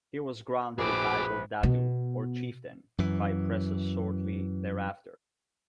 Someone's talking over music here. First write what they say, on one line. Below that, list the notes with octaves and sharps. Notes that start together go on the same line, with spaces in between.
He was granted the title "Datu", or chieftain, by Presas shortly thereafter.
A#1 F#4 G#4 B4 D6
B2
F#2 E3